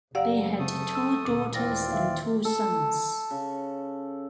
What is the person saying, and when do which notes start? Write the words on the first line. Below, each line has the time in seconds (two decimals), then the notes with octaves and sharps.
They had two daughters and two sons.
0.15 F#1 G4 D5 F5 F#5 A#5 E6
0.59 C#3 A3 C4 A4 D#6
0.95 E6
1.25 D2 A#2
1.54 D#2 E3 C4 F4 D5 A#6
1.92 D#3 E5 F5
2.45 A4
3.31 C#3